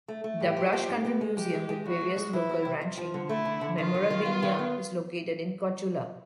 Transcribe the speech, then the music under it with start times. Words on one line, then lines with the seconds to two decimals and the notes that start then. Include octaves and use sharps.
The Brush Country Museum, with various local ranching memorabilia, is located in Cotulla.
0.08 A3
0.24 A3
0.40 A2 G4
0.57 F3
0.73 F3
0.89 G#2
1.05 B3
1.21 G#3
1.37 G#3 G4
1.53 G#3
1.69 G#3
1.85 E2 F#4
2.01 G#3
2.17 G#3
2.33 E3 E4
2.49 E2
2.65 C3
2.81 F2
2.97 F3
3.14 D3
3.29 A3 E4
3.45 D3
3.61 D3
3.77 D#3 F4
3.94 D#3
4.10 D#3
4.26 B3
4.42 D#3
4.59 B3